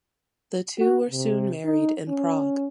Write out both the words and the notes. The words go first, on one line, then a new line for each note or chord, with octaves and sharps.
The two were soon married in Prague.
F#4
C3
D#4
C#4